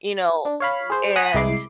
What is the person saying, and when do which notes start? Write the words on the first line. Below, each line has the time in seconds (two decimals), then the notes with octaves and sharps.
you know, w and,
0.45 D4
0.60 C#5 F5 B5
0.90 G#4 C5
1.16 F#5 G#5 D#6 F#6 A#6 B6
1.34 C2 G#3 E4 D6 C7